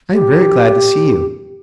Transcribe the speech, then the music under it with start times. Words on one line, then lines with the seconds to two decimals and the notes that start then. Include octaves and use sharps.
"I am very glad to see you."
0.12 G4